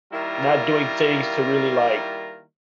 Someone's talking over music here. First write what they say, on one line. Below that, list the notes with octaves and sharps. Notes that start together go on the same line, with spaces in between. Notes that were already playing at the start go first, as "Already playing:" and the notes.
not doing things to really, like,
D#3 G3 A#3 E4 F4 A#4